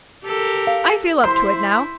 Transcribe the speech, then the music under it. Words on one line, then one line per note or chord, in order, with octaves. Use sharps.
I feel up to it now.
G4 A4 A#4
F5
E4 C5 C6